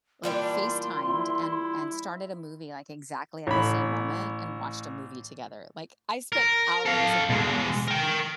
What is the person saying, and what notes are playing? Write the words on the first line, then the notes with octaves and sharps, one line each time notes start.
like, FaceTimed and and started a movie, like, exactly at the same moment, and watched a movie together. Like, I spent hours and hours
A#2 E3 G3 D4 C6
A#2 E4
A1 B5
A#4
A4 F5
B2 G#3
A#4 G5